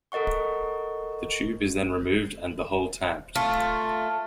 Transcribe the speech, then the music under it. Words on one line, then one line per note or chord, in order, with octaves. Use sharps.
The tube is then removed, and the hole tamped.
A4 A#4 D#5 F#5 C#6
A3 F4